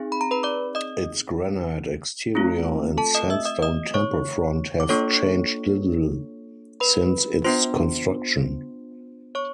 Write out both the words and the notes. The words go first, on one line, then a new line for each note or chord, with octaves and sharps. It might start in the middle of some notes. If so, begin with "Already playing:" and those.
Its granite exterior and sandstone temple front have changed little since its construction.
Already playing: C4 D#4 G#4
B5
A#5
B4 B5
D5 D6
D#5 D#6
A3 C4 F4
A4 A5
D#5 D#6
E5 E6
D#5 D#6
D#5 D#6
C#5 C#6
D6
A#3 D4 F4 A4 C#5 C#6
B4 B5
B3 D4 F4 C5 C6
C#5 C#6